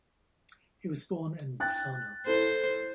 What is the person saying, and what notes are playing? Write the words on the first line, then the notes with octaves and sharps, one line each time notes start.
He was born in Bassano.
G5 F#6 A6
E4 A4 C5